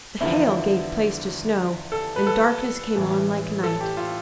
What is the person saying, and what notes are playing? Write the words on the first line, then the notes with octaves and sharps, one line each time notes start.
The hail gave place to snow, and darkness came on like night.
E2 D3 F3 E4
A4
B4
A4
A1 A2 E3
A4
G4
F4